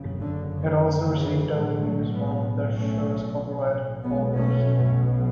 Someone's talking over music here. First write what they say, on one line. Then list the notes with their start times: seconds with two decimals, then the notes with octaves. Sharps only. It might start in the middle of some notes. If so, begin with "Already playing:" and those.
It also received early news from the show's copyright holders.
Already playing: F#1 F#2 C#3
0.20 D3
0.53 C#3
0.85 D3
1.16 C#3 E3
1.47 B1 A2 E3 G#3
1.81 F#3 A3
2.12 G#3 B3
2.76 A3 C#4
4.03 B1 B2 G#3 B3
4.36 A3 C#4